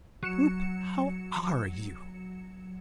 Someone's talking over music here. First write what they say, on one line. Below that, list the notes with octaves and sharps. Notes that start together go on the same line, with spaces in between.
Whoop! How are you!
F#3 C#7 E7